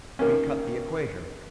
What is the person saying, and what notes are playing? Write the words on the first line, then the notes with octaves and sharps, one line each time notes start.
We cut the Equator.
D#3 A#3 C#4